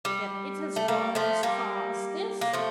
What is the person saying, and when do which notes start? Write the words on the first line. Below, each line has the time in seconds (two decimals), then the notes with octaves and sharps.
"Then it has gone as far as this?"
0.05 G3
0.76 A3
0.88 G3 A#3
1.15 F3 A3
1.43 G3 A#3
2.41 A#3
2.53 F3 A3